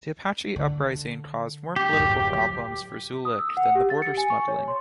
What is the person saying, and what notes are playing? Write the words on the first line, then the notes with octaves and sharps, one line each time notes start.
The Apache uprising caused more political problems for Zulick than the border smuggling.
D3
G4
D1 F#2
F#3
D#6
E6
F#5
G4
A6
C#7
G#5
C#6
C#5
C6